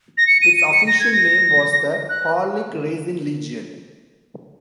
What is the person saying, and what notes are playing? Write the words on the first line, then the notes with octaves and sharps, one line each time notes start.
Its official name was the Horlick-Racine Legion.
A#6
C#7
D#7
D#7
D#7
C#7
A#6
G#6
A#6
F#6